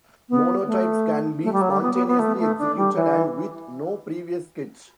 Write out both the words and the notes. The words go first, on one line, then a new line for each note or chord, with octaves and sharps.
Monotypes can be spontaneously executed and with no previous sketch.
B3
A3
A3
G3
F#3
G3
B3
B3
B3
A3
A3
D4
G3
E3